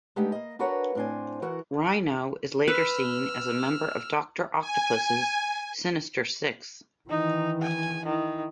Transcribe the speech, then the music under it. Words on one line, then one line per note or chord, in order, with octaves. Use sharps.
Rhino is later seen as a member of Doctor Octopus' Sinister Six.
G#3 A3 B3 D4 D#4 G4
A#3 D#5
D4 F#4 A#4 B4 C#5 F#5
A2 C4 D4 C5 G#5
E3 F#4 A#4 F#5
B4 E6 F6
G#5
D#3 E3 D#4
G#5
D#3 E4